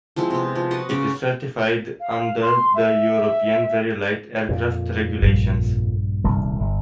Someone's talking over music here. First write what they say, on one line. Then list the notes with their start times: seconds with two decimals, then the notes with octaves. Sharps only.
It is certified under the European Very Light Aircraft regulations.
0.16 F3 G#3 C4 E4
0.30 C3 B3
0.55 F3
0.71 F#4 B4 D#5
0.89 C#3 C#4 D6
2.00 F5
2.42 C6
2.75 E5
4.49 F2 A#2
5.22 A#1 G2
6.24 D#1 C2
6.60 G1